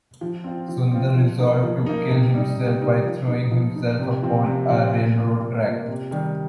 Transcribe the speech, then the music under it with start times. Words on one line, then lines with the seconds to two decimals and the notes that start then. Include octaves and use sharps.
Sundar resolved to kill himself by throwing himself upon a railroad track.
0.21 F3
0.44 C4 F4
0.68 F3
0.92 C4 F4
1.15 F3
1.39 A#3 D#4
1.63 F3
1.86 A#3 D#4
2.10 C3
2.34 G3 D#4
2.57 C3
2.81 G3 D#4
3.04 F3
3.27 D#4
3.51 F3
3.76 D#4
3.99 C3
4.23 F3 C4 F4
4.46 C3
4.69 F3 C4 F4
4.93 A#2
5.16 A#3 F4
5.40 A#2
5.64 A#3 F4
5.88 C3
6.11 D#3 G3 D#4